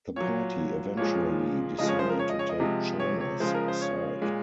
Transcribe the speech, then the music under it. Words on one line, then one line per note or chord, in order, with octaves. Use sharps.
The party eventually decided to take China's side.
A#2 F#3 C#5
A#2 F3 G#3 C#5
C#3 F3 G#3 D#5
C#5
C5
A#4
C#5
D#5
C#5
D#5
C3 F3 G#3
C#5
C#5
C#3 F3 G#3 C5
A#4
C5
C#5
A#2 G#3